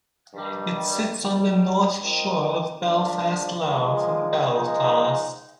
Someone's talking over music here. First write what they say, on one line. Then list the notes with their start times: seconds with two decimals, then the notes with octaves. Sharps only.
It sits on the north shore of Belfast Lough, from Belfast.
0.34 G2 D#3 G3
1.17 D#2 D#3 G3
2.01 F3 C4 D#4 A#4
2.85 G#2 F3 A#3 D4
3.69 A#2 F3 G#3
4.53 A#2 F3 G#3 D#4